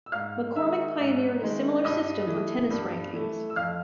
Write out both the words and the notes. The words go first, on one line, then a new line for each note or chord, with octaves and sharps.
McCormack pioneered a similar system for tennis rankings.
E6
G#2 F5 F6
D#3 G#3 E5 E6
G#2
D#3 G#3
G2 D#5 D#6
E3 A3
G2
E3 A3
E6
F2 F5 F6